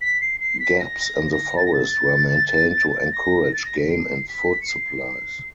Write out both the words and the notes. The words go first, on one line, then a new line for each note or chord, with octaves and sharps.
Gaps in the forest were maintained to encourage game and food supplies.
B6
C7
C7
B6
A#6
A#6
A#6
A6
A#6
A6
A6
A#6
A6
A#6
B6
C7
B6
C#7
C7